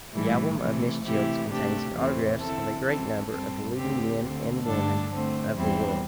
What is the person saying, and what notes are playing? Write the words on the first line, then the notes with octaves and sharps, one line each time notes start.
The album of Mrs. Childs contains the autographs of a great number of the leading men and women of the world.
A2 E3 G3
C3 E3 A3
C3 E3 A3 E4 G4
C3 A3 D4 G4
E2 C3 E3 A3 C4
D3 C4 E4 A4
E3 C4 A4
G2 G3 C4 A4
D2 D3 C4 G4
D2 D3 C4
G2 D3 A3 D4 A4
D3 A3 C4
E2 E3 G3 C4